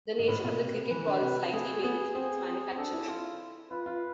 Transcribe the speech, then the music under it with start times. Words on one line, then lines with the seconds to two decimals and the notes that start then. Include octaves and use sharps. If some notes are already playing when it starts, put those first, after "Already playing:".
The nature of the cricket ball slightly varies with its manufacturer.
0.19 G#2
0.28 A2 B4
0.44 B2
0.59 C3
0.90 E3 B4
1.06 D3
1.22 C3
1.53 A3 G#4
1.83 B3 G#4
2.15 C4 G#4
2.47 C4
2.71 C4
2.77 D4 A4
2.93 E4
3.08 E4 F4
3.71 F4 B4
3.86 F4